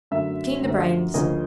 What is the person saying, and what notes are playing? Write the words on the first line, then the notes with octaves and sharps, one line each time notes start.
Clean the brains.
F#2 D3 F#3 A3 E5
F#2 D3 F#3 A3
D2 C#3 F3 A#3 C#4 D#5